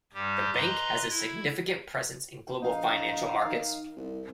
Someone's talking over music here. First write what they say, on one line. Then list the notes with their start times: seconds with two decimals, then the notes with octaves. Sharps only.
The bank has a significant presence in global financial markets.
0.14 G2 G3 G4
0.54 B4 D#5 A#5 C6
1.10 E4 G#6
2.62 A#1 D#4 F5
3.45 D#3
3.97 C2